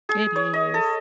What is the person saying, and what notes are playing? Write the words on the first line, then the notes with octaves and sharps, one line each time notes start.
It is.
G#4
C#5
D#5
A4